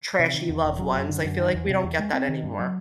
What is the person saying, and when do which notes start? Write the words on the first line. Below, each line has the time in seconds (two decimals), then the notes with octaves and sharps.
trashy love ones, I feel like we don't get that anymore.
0.19 C3
0.34 D#3
0.49 E2
0.64 E1
0.79 F#3
0.94 F#2
1.09 D3
1.24 F#2
1.39 D#3
1.54 E2
1.69 C3
1.84 E2
1.99 G#3
2.13 C4
2.28 D#3
2.43 G2
2.59 F#3